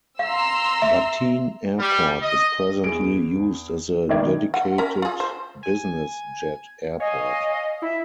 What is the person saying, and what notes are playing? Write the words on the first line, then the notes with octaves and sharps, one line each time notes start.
Bateen Airport is presently used as a dedicated business jet airport.
F5 A#5 C6 E6
E5
G3
D#5
E2 G#4 D7
E1 D#3 B3 D5 G#6
F#5
C#4 A#4
F4 G#4
C5
G#5
C#5 D#5 F5 G#5
E4 E5